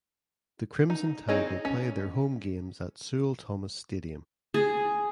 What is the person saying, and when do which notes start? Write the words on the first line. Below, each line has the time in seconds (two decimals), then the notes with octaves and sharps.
The Crimson Tide will play their home games at Sewell–Thomas Stadium.
0.90 D#4
1.29 C4 D#4 G#4 C#5 D#5
1.65 C#4
4.54 G#4